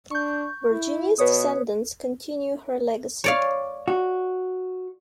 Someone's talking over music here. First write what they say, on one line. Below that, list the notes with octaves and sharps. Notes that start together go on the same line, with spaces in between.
Virginia's descendants continue her legacy.
D4 C#6 G6
E4
B2 B4 C#5 D#6
C#5 D5 F5
F#4